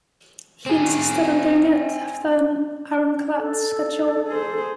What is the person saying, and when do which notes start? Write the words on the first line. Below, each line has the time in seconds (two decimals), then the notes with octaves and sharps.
He insisted on doing it after an ironclad schedule.
0.66 C4 G#4
3.38 A4
4.28 G#4 C5